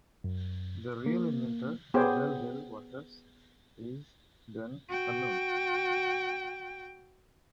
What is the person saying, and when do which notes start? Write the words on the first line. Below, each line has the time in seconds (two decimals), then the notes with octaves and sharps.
The real inventor of Belleville washers is, then, unknown.
0.24 F#2
1.06 A#3
1.94 B3 G4 G#4 C5 C#5 G5
4.89 F#4 G5